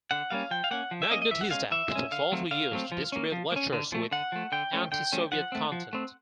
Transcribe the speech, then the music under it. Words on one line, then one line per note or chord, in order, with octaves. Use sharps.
Magnitizdat was also used to distribute lectures with anti-Soviet content.
D3 F#5
G3 A#3 C#4 F5
F3 G5
F5
A#3 C#4 F#5
F3
E5
A#3 C#4 D#5
D#5
E3 E5
F#5
G#3 C#4 F5
E3 E5
G#3 C#4
D3 F5
F#3 A3 C4
D3 F5
F#3 A3 C4
F3
A#3 C#4
F3
A#3
C#4
D3
F3 A3
D3 F#5
F3 A3
D3 G5
F3 A3 C#4
D3 G5
F3 A3 C#4
F3 F#5
A3 C4
F3
A3 C4